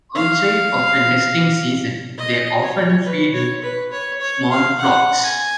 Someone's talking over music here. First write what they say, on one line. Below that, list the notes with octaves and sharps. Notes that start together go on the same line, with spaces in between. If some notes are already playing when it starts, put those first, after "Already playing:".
Outside of the nesting season, they often feed in small flocks.
F5
D#5
C#5
B4
C#5
B4
C#5
C#5
F5
F#5
G#5